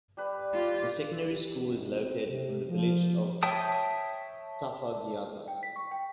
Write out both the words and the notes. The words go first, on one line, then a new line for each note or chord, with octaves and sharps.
The Secondary School is located in the Village of Tafaigata.
G3 B4
F4 G4
G4
F#1
C4
C3
F3
C#5 E5 G5 A5 D#6
G5
B6
C#6
G5